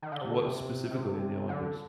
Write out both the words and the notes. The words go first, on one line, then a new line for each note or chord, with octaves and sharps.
What specifically in the Olympics?
D#3
D3
C3
D3
C3
C3
D3
C3
D3